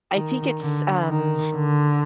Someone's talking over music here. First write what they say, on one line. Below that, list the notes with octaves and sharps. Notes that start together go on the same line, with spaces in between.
I think it's, um
D#3
D3
D#3
D3